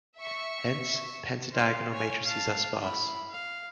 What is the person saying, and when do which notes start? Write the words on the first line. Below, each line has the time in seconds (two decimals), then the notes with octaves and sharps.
Hence, pentadiagonal matrices are sparse.
0.17 E5 C#6
1.51 C5 F5
1.91 C#5 G#5
2.24 F5 A5
2.79 E4 B5
3.31 F5